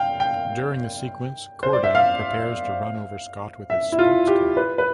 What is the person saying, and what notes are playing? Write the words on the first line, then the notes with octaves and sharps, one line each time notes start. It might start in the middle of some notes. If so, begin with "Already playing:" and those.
During the sequence, Korda prepares to run over Scott with his sports car.
Already playing: F5 G5
G5
C5
D5
E5
F5
E5
E4
F4
G4
B4
B4